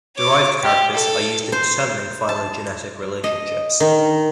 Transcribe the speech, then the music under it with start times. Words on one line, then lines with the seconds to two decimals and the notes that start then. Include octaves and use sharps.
Derived characters are used in determining phylogenetic relationships.
0.16 C#5 D6
0.64 G4
0.94 A4
1.52 C5
2.29 A5
3.24 D#5
3.80 D#3